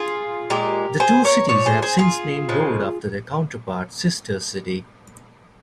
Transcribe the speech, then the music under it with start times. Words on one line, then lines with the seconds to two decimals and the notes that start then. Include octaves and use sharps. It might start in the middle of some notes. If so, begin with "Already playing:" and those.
The two cities have since named roads after their counterpart sister city.
Already playing: F4 G#4
0.50 A#2 G#3 G4 A#4
1.00 G#4 C5
1.24 A#4 C#5
1.49 A#2 F3 C#5
1.66 G#4 C5
1.82 G#4 C5
1.99 F4 G#4
2.49 C#3 F3 G#3